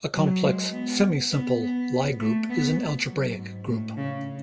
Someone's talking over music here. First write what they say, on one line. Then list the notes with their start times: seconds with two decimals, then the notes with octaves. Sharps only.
A complex semisimple Lie group is an algebraic group.
0.14 F#3
0.43 G#3
0.73 B3
1.32 B3
1.62 B3
2.20 A3
2.50 B3
3.09 F#3
3.37 G#2
3.67 A2
3.97 C#3